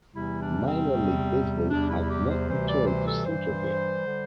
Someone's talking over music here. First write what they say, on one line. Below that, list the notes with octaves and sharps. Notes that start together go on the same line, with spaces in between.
Minor league baseball has not returned to Centreville.
E2 C3 E3 G3 E4
D4
C4
E2 C3 G3
E2 C3 G3 D4
E4
G4
C5
D2 C3 E3 G3 C5
D5
C5
A4
G2 E3 G3 C5
D3 G3